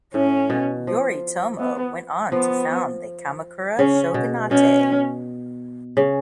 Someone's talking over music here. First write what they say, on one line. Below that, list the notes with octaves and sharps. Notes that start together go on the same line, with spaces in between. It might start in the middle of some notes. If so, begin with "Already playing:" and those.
Yoritomo went on to found the Kamakura Shogunate.
A2 C#4
B2
F3
B3
F3 B3
C#3 C#4
B2
B2 C#4
C#3